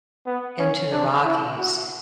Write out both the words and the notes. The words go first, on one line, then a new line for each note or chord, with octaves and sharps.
into the Rockies,
B3
C#4
D4
E4
F#4